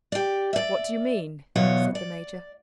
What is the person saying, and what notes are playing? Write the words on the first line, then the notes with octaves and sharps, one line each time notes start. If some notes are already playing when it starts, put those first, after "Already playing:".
"What do you mean?" said the major.
G4 D5
D5 E5
E2 B2 F#3 F4 C#5 F#5
D5